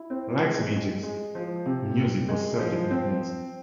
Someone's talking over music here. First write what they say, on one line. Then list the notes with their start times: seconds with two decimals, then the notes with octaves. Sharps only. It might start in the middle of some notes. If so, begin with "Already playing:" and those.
Light Magic's music was Celtic-influenced.
Already playing: E4
0.10 C4
0.41 G#3
0.72 G#3
1.03 G#3
1.35 F3
1.66 C3
1.97 C3
2.28 G#3
2.59 F3
2.91 C4